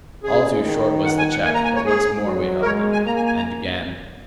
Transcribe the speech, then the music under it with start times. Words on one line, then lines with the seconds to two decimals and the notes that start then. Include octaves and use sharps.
All too short was the check, but once more we held them--and again.
0.23 C#3 G#4
0.64 D#3
1.05 F#5
1.18 G#5
1.31 F#5
1.44 A#3 G#5
1.54 A#5
1.65 G#5
1.75 C#5
1.85 G#4
2.25 F#3
2.62 A#4
2.65 G#3 C#5
2.93 G#5
3.06 A#3 A#5
3.16 G#5
3.26 G#5
3.37 A#5